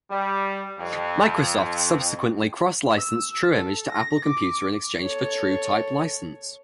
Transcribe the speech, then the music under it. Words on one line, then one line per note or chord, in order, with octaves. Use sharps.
Microsoft subsequently cross-licensed TrueImage to Apple Computer in exchange for a TrueType license.
G3
F2
E6
A4
A#6
D6
A4 C#5